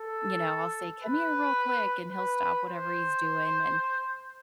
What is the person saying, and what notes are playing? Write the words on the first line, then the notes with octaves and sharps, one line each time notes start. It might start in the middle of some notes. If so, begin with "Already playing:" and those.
You know, I'll say, "Come here real quick," and he'll stop whatever he's doing, and
Already playing: A4
B4
B4
C5